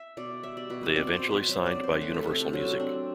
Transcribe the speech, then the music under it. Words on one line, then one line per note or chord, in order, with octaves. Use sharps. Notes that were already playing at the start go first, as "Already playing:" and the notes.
They eventually signed by Universal Music.
Already playing: E5
B2 D5
G3 E5
D5
B2 B4
B4
C4 D5
C5
B2
B4
F#3
D5
C4
C5
A3 B4
A4
C3 C5
A4
F#3 F#4
C4 D4